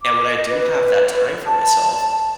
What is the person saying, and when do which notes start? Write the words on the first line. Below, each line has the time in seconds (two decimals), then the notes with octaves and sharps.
And when I do have that time for myself,
0.01 D6
0.24 D#5
0.49 B4
1.46 A5